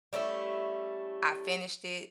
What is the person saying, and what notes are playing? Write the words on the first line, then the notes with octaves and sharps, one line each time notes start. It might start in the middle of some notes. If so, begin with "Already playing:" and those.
I finished it,
G3 A3 C#4 E4